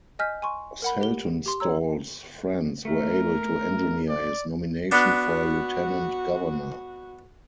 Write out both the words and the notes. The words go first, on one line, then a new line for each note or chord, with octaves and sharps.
Saltonstall's friends were able to engineer his nomination for Lieutenant Governor.
D#5 G#5 F6 G6 B6
G#5 C6 C#6
A#4 F#5 B5
G4 G7
G4 C6
C#5 A#5 E6
A3 A#4
D5
B3 D4 F#4